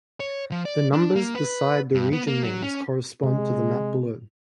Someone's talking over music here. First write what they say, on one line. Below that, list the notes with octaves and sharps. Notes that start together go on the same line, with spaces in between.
The numbers beside the region names correspond to the map below.
C#5
F3
D5
D4
A#3
B4
G2
B3
A#3
F#3
C#4
C3 G#3